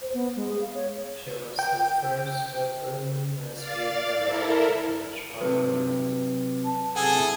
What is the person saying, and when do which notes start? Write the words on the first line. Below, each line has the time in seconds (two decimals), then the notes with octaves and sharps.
She was the first openly lesbian member of the Dutch Parliament.
0.01 C5
0.14 B3
0.36 G#3
0.49 G#4
0.61 F5
0.74 C#5
1.59 G5
3.55 D5 F5 A6
4.19 E4 A4 A#4
5.41 C3 F#3 B4
6.65 A5
6.96 F#2 C3 G#4 A4 F#5 G#5
7.16 E4